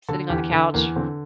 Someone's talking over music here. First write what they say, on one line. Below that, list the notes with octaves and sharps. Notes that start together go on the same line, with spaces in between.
sitting on the couch,
D3 A4
E2 G4
D3 E4
E2 A#3
D3 C4